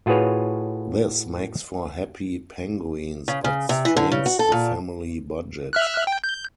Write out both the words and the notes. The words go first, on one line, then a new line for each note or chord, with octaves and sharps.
This makes for happy penguins, but strains the family budget.
A2 F4 F#4 G#4 B4 C#5
C#3
C#3
C3
E3
D3
C#3
F#4
A4
A#2
E5 F6 F#6
G5
G6